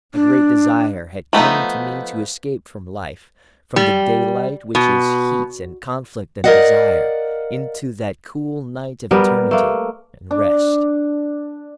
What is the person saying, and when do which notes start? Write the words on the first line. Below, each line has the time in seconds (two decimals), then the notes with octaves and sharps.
A great desire had come to me to escape from life, from the daylight which is heat and conflict and desire, into that cool night of eternity--and rest.
0.14 D4
1.33 F3 A3 B3 D#4
3.76 G3
4.75 B2
6.44 A#4 D5 D#5 F5 F#5
9.11 G3 B3 A#4
9.51 A3 A#3
10.31 D4